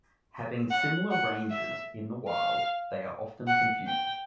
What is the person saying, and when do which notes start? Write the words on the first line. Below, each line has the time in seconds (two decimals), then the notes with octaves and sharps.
Having similar ranges in the wild, they are often confused.
0.71 F#5
1.10 F#5
1.50 E5
2.28 F5
3.47 F#5
3.86 G5